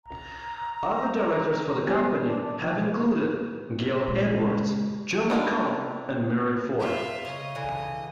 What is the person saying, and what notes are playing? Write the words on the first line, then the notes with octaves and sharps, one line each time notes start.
Other directors for the company have included Gale Edwards, Joe McCallum, and Murray Foy.
A#5
B3 G4 C5 G#5
D4
D4
F3
B2
A#2 C#3 G#3 G4
D#3 D4 E4 F4
F4 E5
C#3 C#5 D#5
D3 E3